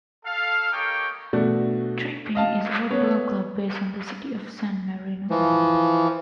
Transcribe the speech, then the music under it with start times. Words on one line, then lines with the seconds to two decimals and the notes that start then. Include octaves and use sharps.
Tre Penne is a football club based in the City of San Marino.
0.25 A4 F5
0.72 A#3 D#4 G4 A4 C#5 G5
1.33 B2 A3 D4 F#4
2.35 D#5 F5 A5
2.91 B3 C#5
5.30 E3 F3